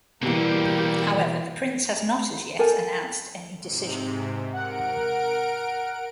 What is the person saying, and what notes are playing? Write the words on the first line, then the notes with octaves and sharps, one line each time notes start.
However, the Prince has not as yet announced any decision.
B2 D3 E3 G3 A#3 C4 G4
A4 A#4 G5 G#5
G#2 C3
A#4 F#5 D7